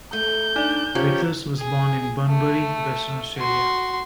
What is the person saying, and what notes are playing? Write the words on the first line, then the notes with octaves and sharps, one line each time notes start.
Withers was born in Bunbury, Western Australia.
A3 G6
D4 D#4 D5
F3 C#4 F4 G4
G#4
A3
F#4 C6